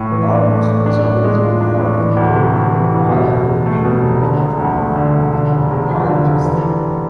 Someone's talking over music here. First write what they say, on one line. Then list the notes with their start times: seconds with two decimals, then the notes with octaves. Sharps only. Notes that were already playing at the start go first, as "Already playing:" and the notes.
Arndt has always been held in very high repute by the German Pietists.
Already playing: A2 A3
0.12 E3
0.30 D4
0.49 A3
0.68 A2
0.86 D4
1.04 A2
1.24 G#3
1.42 F4
1.61 D4
1.80 A2
1.98 E3
2.17 D2
2.35 C3
2.54 D2
2.73 E3
2.91 D2
3.09 B2
3.28 F1
3.47 E2
3.66 A3
3.84 B2
4.02 F1
4.21 D3
4.40 E1
4.59 D2
4.78 A3
4.96 D3
5.14 E1
5.33 D3
5.52 F1
5.71 E2
5.89 F3
6.08 D3
6.26 F1
6.45 E3